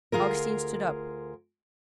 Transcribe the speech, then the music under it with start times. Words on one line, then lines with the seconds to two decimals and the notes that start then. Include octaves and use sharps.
Augustine stood up.
0.12 D2 C3 F4 G#4 A#4